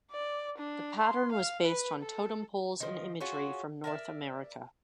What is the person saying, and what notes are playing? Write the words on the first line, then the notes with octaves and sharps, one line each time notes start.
The pattern was based on totem poles and imagery from North America.
D5
D4
C6
F5
B4
A4
D#3 F3
C#4 F4 F#4 G#4
A#4 D5 E5